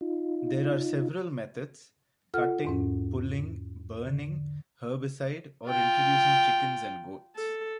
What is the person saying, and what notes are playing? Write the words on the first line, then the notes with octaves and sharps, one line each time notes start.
There are several methods, cutting, pulling, burning, herbicide or introducing chickens and goats.
D#4 F4
F4 A4 F#5 F6
E2 G#2 C#4
D3
F4 G5
A4